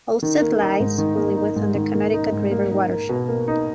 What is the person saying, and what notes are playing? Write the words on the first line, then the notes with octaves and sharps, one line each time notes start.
Alstead lies fully within the Connecticut River watershed.
D#3
A#3
D#4
G#2
D#3
A#3
D#4
G#2
D#3
A#3
D#4
G#2
A#3
D#4
A#4
B2
A#3
D#4